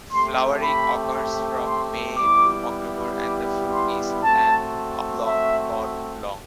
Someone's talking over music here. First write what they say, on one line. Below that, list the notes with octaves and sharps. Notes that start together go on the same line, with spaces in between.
Flowering occurs from May to October and the fruit is an oblong pod long.
A3 C4 G4 C6
B5
C6
G3 B3 E4 G4 D6
D6
C6
A3 C4 F#4 A5
E5